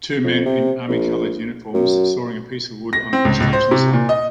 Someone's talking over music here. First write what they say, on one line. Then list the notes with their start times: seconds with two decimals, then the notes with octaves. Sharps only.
Two men in armycolored uniforms sawing a piece of wood on a construction site.
0.24 F2
0.45 C3
0.89 A#1
1.74 F#2
2.93 A#6
3.13 C4
3.25 C#2
3.40 C#2
3.53 C5
3.71 C3
3.93 A#2
4.09 D#5